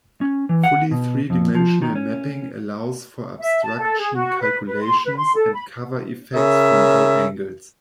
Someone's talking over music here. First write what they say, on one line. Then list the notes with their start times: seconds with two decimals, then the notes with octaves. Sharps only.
Fully three-dimensional mapping allows for obstruction calculations and cover effects from all angles.
0.21 C#4
0.49 E3
0.64 F#5
0.91 B2
1.30 F2
1.55 F3
1.82 D#3
1.95 C#4
3.39 E5
3.62 A5
3.79 A4
3.98 G#4
4.14 F#4
4.40 B4
4.67 B4
4.81 C6
5.04 B4
5.16 C6
5.35 A4
5.53 B5
6.34 C#3 A#4 E5